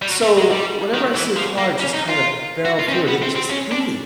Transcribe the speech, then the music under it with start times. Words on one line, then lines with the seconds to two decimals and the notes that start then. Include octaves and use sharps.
So, whenever I see a car just kinda barrel through it, it just really
0.02 G3
0.08 F#3
0.23 A3
0.37 G#3
0.51 G3
0.94 D#3
1.15 E3
1.36 F3
1.58 A#3
1.79 C#4
1.93 D#4
2.08 F4
2.65 F#4
2.79 F4
2.88 C#4
2.93 C4
3.08 B3
3.22 C4
3.36 C4
3.51 C#4
3.72 D4